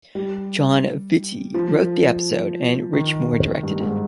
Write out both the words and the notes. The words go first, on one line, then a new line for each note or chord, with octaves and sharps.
Jon Vitti wrote the episode and Rich Moore directed it.
G3
F3
D#3
G2
G#2